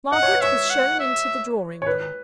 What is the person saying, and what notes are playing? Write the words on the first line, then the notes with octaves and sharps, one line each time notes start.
Margaret was shown into the drawing-room.
D#5 F#5
C#5
B4
C#5 E5
F#5
E5
C#5
B4